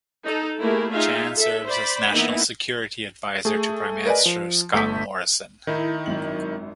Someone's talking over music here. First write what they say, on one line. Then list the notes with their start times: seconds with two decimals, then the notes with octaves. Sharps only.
Chan serves as National Security Adviser to Prime Minister Scott Morrison.
0.24 D#4 A4
0.59 A3 A#3 E4 G4 G#4 A#4
0.92 D#4 F4 G#4 E5 F5
1.37 A4 E5
1.66 C5 D5 B5
2.13 E3 A#3 B3 D#4 E4
3.45 A3 G#4
4.06 A#4 B4 D5 D#5 G#5
4.26 F3
4.73 G1 A3 E6 G6 B6
5.67 A2 D#3 D#4 E4
6.06 G#1 F#2 F#7